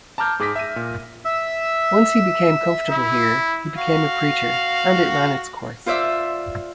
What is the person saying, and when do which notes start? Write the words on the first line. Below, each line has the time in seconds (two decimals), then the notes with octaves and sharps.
Once he became comfortable here, he became a preacher, and it ran its course.
0.18 A5 A#5 D6 F6 G6
0.39 G#2 G#4 D6 A#6 B6
0.56 E5 D#7
0.76 A#2
1.25 E5 E6
2.90 E4
3.76 F#4 F5
5.86 F4 C5 D5 E5